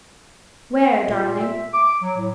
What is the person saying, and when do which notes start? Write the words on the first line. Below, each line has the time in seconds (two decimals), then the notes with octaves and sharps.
"Where, darling?"
1.09 A#2
1.40 E5
1.73 D6
2.02 F#3
2.17 A2